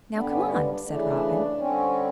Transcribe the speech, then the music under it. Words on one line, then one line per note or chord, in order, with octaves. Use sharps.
"Now, come on," said Robin.
G2 D3 G3 B3 D4
C#4
D4
D4
C#3 E3 A3 D4
D3 G3 C4 C#4